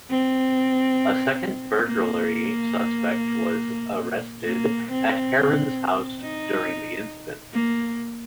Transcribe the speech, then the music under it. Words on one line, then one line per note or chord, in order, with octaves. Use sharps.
A second burglary suspect was arrested at Herron's house during the incident.
C4
A#3
A#3
C4
D#4
A#3